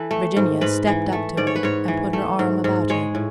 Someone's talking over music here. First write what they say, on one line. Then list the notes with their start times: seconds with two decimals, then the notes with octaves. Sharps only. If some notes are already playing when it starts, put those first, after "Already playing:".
Virginia stepped up to her and put her arm about her.
Already playing: E3 A4 B4
0.11 A3
0.37 G#2
0.61 G#2 B4
0.87 E3
1.13 A3
1.37 G#2 D5
1.47 C#5
1.56 B4
1.63 G#2 C#5
1.88 E3
2.13 A3
2.39 G#2
2.64 G#2
2.90 G#3 C#5
3.15 A2